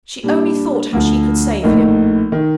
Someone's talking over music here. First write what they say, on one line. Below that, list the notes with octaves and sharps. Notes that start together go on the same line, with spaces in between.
She only thought how she could save him.
A#2 G3 D4
D2 D3 F3
A#1 A2 A3 D#4 A#4
D#3